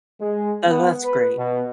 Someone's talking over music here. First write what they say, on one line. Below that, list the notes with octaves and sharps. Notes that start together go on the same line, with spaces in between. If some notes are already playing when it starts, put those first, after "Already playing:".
Tha that's great.
G#3
B3
B4
B2